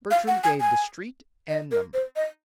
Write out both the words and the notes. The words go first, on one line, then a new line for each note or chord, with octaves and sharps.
Bertram gave the street and number.
F5
F#5
G#5
G#5
D#5
A#4
C5
D#5